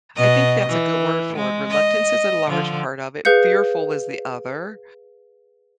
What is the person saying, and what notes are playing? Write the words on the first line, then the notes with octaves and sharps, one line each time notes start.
I think that's a good word for it, reluctance is a large part of it, fearful is the other.
B2 D#5
E3
G#3
D#5
D3 F3
G#4 B4 F5 G6 C#7